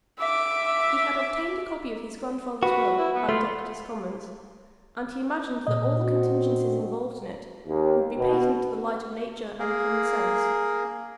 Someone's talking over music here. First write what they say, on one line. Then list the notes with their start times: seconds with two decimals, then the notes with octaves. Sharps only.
He had obtained a copy of his grandfather's will at Doctors' Commons, and he imagined that all the contingencies involved in it would be patent to the light of nature and common sense.
0.18 E5 D6
2.63 F#4 B4
2.98 E4
3.15 B3
3.29 A3 F4
5.67 A#2 D#5
5.97 C4 D4 F#4
7.67 D#2
8.17 B2
9.59 A#3 G#4 A#4